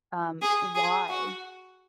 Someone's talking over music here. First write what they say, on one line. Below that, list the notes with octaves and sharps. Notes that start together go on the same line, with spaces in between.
um, "Why?"
G#4
G#4
F#4